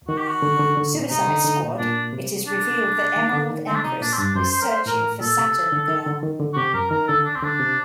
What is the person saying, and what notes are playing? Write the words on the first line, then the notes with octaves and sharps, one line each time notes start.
Suicide Squad, it is revealed that Emerald Empress is searching for Saturn Girl.
D#3 F#4
G4
F#4
D3
D3
D3
A#2
C3 D#4
D3
D3
A#2
A#2 D4
C3
D4
D#3
D3
D#3
D3 C4
D4
C3 D#4
A#2 D4
C4
G2 D4
F#2 C5
C5
A#4
C5
A2 A#4
A#2 A4
C3
D3
D#3
D3
D#3
D3
F#4
C3 G4
F#2 A#4
D#3 A#4
D3 A4
D4
C4
D3 D4
C3